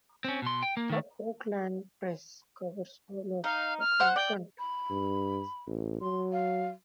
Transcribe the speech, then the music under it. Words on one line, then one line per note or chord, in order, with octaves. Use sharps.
"The Oakland Press" covers all of Oakland County.
C4 C#4
B2 C6
G5
A#3
D#3 A3
D#4 F5
F6
C5 F#5
D5 G5
B5
G2
A1
F#3 C6
F5